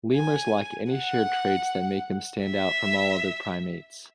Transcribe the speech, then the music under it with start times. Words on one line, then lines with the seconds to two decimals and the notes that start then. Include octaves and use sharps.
Lemurs lack any shared traits that make them stand out from all other primates.
0.15 G#5
0.91 F#5
2.44 E5